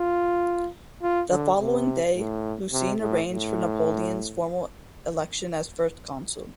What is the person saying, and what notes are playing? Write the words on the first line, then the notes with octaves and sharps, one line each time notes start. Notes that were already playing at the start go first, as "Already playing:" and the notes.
The following day Lucien arranged for Napoleon's formal election as First Consul.
Already playing: F4
F4
D3
C3
A2
C3
A2
A2